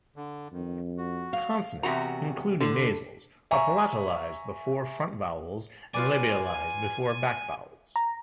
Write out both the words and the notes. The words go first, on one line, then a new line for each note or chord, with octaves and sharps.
Consonants, including nasals, are palatalized before front vowels and labialized before back vowels.
D3
F2 D#3
F#4
F5
E2 C3 F#4 A#5
D3
E5 G#5 A#5 C#6
F4 B4 D5 G#5
A#5